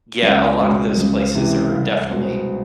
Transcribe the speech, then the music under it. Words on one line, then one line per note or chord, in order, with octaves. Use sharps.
yeah, a lot of those places are definitely,
C#2
B2 G#3
C#2
C3 E3
C2
B2 G#3 C4